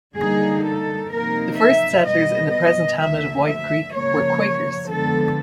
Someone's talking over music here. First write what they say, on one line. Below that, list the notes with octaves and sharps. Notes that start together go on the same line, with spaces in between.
The first settlers in the present hamlet of White Creek were Quakers.
D3 G3 A#3 D#4 G#4
A4
C3 F3 A#3 D#4 A#4
E5
B2 G3 B3 D#5
D#5
D2 D3 F3 A#3 E5
E5
C#3 F3 A#3 C#5
D3 F3 G#3 B3 A4